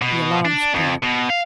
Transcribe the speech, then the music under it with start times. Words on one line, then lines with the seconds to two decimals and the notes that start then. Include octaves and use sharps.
The alarm spread.
0.02 B2
0.45 D4
0.75 F2
1.04 B2
1.30 F5